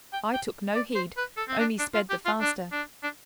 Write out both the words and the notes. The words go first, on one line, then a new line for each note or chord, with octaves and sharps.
I took no heed--only sped the faster.
G5
G5
D5
C5
B4
A4
C4
D4
D4
F4
G4
F4
D4
D4
D4